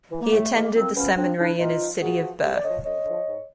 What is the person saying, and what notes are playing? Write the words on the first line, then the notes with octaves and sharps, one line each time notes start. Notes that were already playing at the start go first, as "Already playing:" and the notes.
He attended the seminary in his city of birth.
E3
A#3
A2 A3
E3 G#3 A#3
F2 A#3 C4
C#3 F3 B3 C#4
F2 C4 D4
C#3 F3 D4 E4
A#2 D#4 F4
F3
A#2 F#4 G#4
F3
F#2 G4 A4
D5
D3 F3 C#5 D#5
F#2 C#5 D#5
D3 F3
G#2